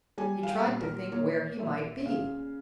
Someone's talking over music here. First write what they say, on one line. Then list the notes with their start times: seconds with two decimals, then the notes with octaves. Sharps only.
He tried to think where he might be.
0.18 G3 G#5
0.43 F5
0.49 G5
0.65 A#2
0.81 A#4
1.12 A#3 C#5
1.59 A#2 E5
2.06 C#3 F5